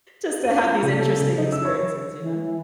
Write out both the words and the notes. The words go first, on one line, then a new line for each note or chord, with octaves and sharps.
just to have these interesting experiences, you know?
D#7
F4
C#3
A4
C#3
D#4
E6
C#5
E3